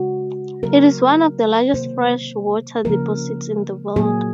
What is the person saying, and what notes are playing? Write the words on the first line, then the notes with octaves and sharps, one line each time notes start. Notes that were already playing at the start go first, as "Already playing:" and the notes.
It is one of the largest freshwater deposits in the world.
Already playing: C#3 G#3 F#4
C#3 F#3 A#3 A#4
C3 D#3 F#3 A#3 C5
C#3 F3 A#3 A#4
A#2 F#3 A#3 G#4